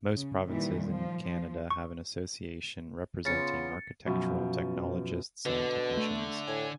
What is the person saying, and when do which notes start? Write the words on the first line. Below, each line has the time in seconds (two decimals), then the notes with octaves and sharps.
Most provinces in Canada have an association representing architectural technologists and technicians.
0.16 C#3
0.46 A#2 D#3 E3 G3
0.89 F3
1.24 F3
1.71 C#6
3.25 C#3 B3 F4 A6 C#7
4.06 F#2 B2 F3
5.46 B2 D3
5.97 A3
6.47 A2 G#5